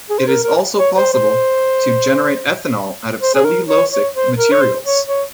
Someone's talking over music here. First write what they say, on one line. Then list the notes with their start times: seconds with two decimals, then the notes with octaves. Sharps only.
It is also possible to generate ethanol out of cellulosic materials.
0.10 G#4
0.19 C5
0.27 A#4
0.44 A#4
0.78 C#5
0.97 C5
1.13 C5
3.22 C5
3.35 G#4
3.45 A#4
3.68 C#5
3.91 C#5
4.14 C5
4.37 A#4
4.52 C#5
4.61 C5
4.84 C#5
5.07 C#5